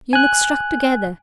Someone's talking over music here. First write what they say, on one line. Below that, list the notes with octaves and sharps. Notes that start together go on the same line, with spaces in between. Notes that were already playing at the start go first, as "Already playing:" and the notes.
You look struck together.
G#5 F#6